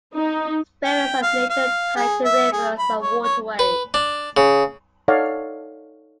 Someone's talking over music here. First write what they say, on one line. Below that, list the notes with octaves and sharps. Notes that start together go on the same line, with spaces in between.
Spirits of nature tied to rivers and waterways.
D#4
G5
F5
F5
G#4
E5
G#4
B5
C#5
C#5
B4
D4
C#3
D#4 A4 C#5 D5 F5 F#5